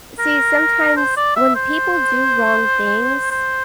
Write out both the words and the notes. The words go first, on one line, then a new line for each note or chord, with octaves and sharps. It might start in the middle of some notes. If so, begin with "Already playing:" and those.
see, sometimes when people do wrong things
A#4
C5
D5
E5
C5
C5